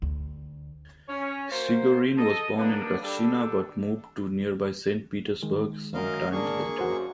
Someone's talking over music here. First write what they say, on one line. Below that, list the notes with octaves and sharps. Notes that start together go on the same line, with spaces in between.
Chigorin was born in Gatchina but moved to nearby Saint Petersburg some time later.
D2
C#4
A#3 F#4 A#4 C5
A4 D#5
A#3 B3 D4
G3 D4 A4
D#3 G#3
F#2 A#4 D#5 F5
A#3 D4 G#4 C#6
F#2 F#4 C5